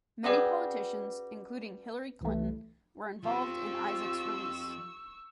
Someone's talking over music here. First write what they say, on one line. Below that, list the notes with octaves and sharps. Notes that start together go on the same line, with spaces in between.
Many politicians, including Hillary Clinton, were involved in Isaac's release.
G3 C#4 F#4 G#4 B4
C2 E3 A3
F3 C4 F4 G4 C#6 E6